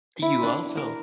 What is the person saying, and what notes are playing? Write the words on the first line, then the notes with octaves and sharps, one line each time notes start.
You also.
E4
D4
A#4